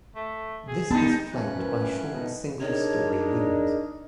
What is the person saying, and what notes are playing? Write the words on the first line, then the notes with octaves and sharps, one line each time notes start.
This was flanked by short single-storey wings.
A3
G#4
G3 B3 D#4 A5
E3 F3 C#4 F4 G#4 F#6
C3 G3 A#4 B4
B2 D#4
D4 D#4 G#4 A#4 C#5 D#5